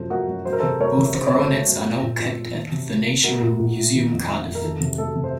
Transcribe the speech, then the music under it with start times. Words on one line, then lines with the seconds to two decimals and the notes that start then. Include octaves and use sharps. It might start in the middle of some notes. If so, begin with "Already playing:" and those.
Both coronets are now kept at the National Museum Cardiff.
Already playing: F#2 C3 F3 A4 C5
0.10 A3 F#4 A#4
0.28 F#2
0.45 F#3 C5
0.53 A#4
0.59 C3 A4 C5
0.80 A3 A#4 C#5
0.98 C3
1.15 C#3 C5
1.27 C#5
1.33 F#2 A4 C5
1.50 A3
1.67 F#2
1.84 A3
2.02 A#2
2.20 A#2
2.37 A3
2.54 D#3
2.72 C3
2.89 F#3
3.07 A3
3.23 A3 F#4 A#4
3.42 A#2
3.59 A#2
3.77 A3
3.94 D#3
4.11 F2
4.29 A3
4.46 F2
4.55 A#4
4.63 D#3 A4
4.80 C3
4.98 A3 A4
5.15 C3
5.24 C5